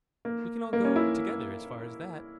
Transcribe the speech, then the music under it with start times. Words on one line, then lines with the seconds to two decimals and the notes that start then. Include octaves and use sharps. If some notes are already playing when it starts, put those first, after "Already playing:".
We can all go together as far as that.
0.25 A#3
0.73 A#3
0.85 C#4
0.96 E4